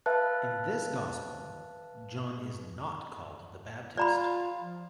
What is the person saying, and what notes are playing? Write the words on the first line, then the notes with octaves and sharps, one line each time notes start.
In this gospel, John is not called the Baptist.
B4 E5 F5 A5 F#6
F4 D5 A#5 B5
F3